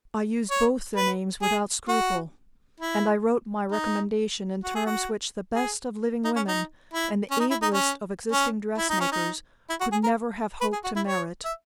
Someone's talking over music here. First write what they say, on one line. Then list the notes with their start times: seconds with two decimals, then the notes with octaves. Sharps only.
I used both their names without scruple; and I wrote my recommendation in terms which the best of living women and the ablest of existing dressmakers could never have hoped to merit.
0.50 C#5
0.96 B4
1.42 G#4
1.88 F#4
2.80 E4
3.72 D#4
4.64 F#4
4.75 G#4
4.86 F#4
5.55 G#4
6.25 D#4
6.36 C#4
6.48 D#4
6.94 E4
7.31 C#4
7.40 D#4
7.51 E4
7.62 D#4
7.74 C#4
8.32 C#4
8.78 E4
8.89 D#4
9.00 C#4
9.12 D#4
9.70 E4
9.81 F#4
9.92 G#4
10.03 A#4
10.61 B4
10.73 G#4
10.84 F#4
10.96 E4
11.07 C#5
11.45 E5